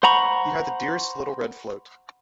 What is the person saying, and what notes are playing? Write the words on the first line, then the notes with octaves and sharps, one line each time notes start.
He had the dearest little red float.
C5 F#5 A#5 B5 C#6